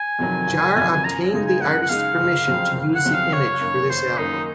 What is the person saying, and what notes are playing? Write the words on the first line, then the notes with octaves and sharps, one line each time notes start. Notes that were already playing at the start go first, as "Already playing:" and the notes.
Jarre obtained the artist's permission to use the image for this album.
Already playing: G#5
F2 C3 D#3 F#3
F#1
F2 C3 D#3 F#3
F#2 A#5
C#3 G#3 D#4
G#5
F#2 F#5
F#5
C#3 G#3 D#4 F5
F#1
F2 C#3 F#3 C4
F#1
F#5
F2 C#3 F#3 C4
F5
F#1 C#5
F#2 D#3 A#3
F#1 C5
F#2 D#3 A#3 D#4